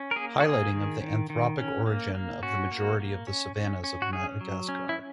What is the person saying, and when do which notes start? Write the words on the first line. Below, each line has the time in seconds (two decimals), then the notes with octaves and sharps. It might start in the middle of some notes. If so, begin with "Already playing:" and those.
Highlighting of the anthropic origin of the majority of the savannas of Madagascar.
Already playing: C#4
0.11 A#4
0.16 A#3 G#4
0.40 F#4
0.44 A#3 G#4
0.73 D#3
1.01 D#3
1.30 D#3
1.58 C#4
1.86 A#3
2.15 A#3
2.43 C#4 F#4
2.72 A#3
3.00 A#3
3.27 C#4
3.55 C#4
3.84 C#4
4.02 F#4
4.13 C#4 G#4
4.41 F#3
4.69 C#4
4.89 E4